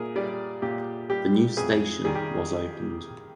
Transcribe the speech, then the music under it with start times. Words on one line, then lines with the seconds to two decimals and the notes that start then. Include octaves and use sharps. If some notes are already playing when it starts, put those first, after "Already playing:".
The new station was opened.
Already playing: A#2 G#4 A#4
0.16 G3 D5
0.62 A#2 G4
1.10 G3 G4
1.57 F2 G#4
2.04 D#3 G3 G#4
2.15 G4